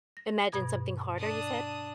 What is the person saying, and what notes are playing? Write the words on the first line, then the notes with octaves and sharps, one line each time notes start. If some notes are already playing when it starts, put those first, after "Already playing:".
Imagine something harder, you said?
A#6
G2 B2 G#6
D4 D#6